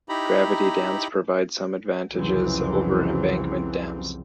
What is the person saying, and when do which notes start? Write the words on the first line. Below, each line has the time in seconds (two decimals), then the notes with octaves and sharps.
Gravity dams provide some advantages over embankment dams.
0.09 D#4 E4 G4 A#5 B5
2.12 C2 F2 C#3 E3 F#3 C4